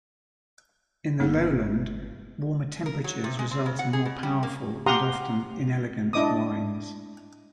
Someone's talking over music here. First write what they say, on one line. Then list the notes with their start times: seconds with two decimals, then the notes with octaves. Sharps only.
In the lowland, warmer temperatures result in more powerful and often inelegant wines.
1.20 G1 A#3 B3 D#4
2.86 A#4
3.04 F#3
3.24 C3
3.39 G#3
3.51 C4
3.66 C#3
3.79 F#5
3.93 G#4
4.05 B2
4.23 G3
4.43 A#3
4.86 G4 F5 F#5 A#5 C6 D#6
6.13 D4 E4 D#5 D6 D#6